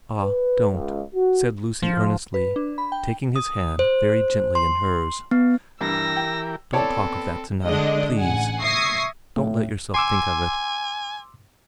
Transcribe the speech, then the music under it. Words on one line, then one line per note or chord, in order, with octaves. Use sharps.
'Ah, don't,' said Lucy earnestly, taking his hand very gently in hers. 'Don't talk of that to-night please don't let yourself think of it.
B4
C#2
F#4
F3
B4
D4
B5
G5
D#6
C5
C6
B3
G2 E3 G4 A#4 E6 A#6
G5
B3 C4 A4 C#5 D5 A5
D3 G#3 D4 D5 D#5
A1 F#5 G#5
E5 C#6 D#6 G#6 A#6 C7
A2
G#5 C6 D6 E6